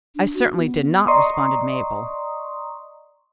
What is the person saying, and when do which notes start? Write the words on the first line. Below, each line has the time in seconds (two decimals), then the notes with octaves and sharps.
"I certainly did not," responded Mabel.
0.16 D4
0.34 F#4
0.57 B3
1.08 D5 D#5 A#5 C6 C#6 D#6